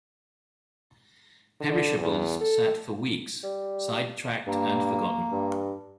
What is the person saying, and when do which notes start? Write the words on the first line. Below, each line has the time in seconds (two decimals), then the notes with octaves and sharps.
Perishables sat for weeks, sidetracked and forgotten.
1.61 D3
1.98 E2
2.41 A4
3.43 G3
4.47 G2 A#3
5.32 G2